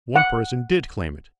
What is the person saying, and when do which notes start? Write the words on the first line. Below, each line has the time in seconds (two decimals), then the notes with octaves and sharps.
One person did claim it.
0.16 F#5